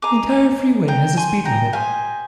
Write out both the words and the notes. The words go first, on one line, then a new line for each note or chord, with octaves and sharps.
The entire freeway has a speed limit.
G#4 D#5 A#5 D6
G5 A#5
G#5 C6
G5 A#5
G4 C5 D#5 F5 G#5